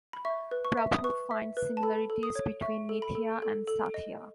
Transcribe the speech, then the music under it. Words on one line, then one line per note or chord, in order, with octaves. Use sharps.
Prabhu finds similarities between Nithya and Sathya.
B5
E5 C#6
B4
C#6
E5
D#6
B4 C#6
E5
B4
A5
A4 B5
A4
D#6
C#5
E5 C#6
A4
B5
A4
A4
A4
D#5